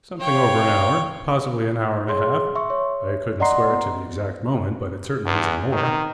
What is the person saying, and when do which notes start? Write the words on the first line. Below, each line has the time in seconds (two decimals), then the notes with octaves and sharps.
'Something over an hour,--possibly an hour and a half; I couldn't swear to the exact moment, but it certainly isn't more.'
0.20 C#5 F5 G5
2.08 G#4 C#5 C6
2.55 E5 C6 C#6
2.70 C#5
3.40 D5 D#5 F#5 A#5 C6 C7
3.71 B3
5.25 E2
5.72 D#3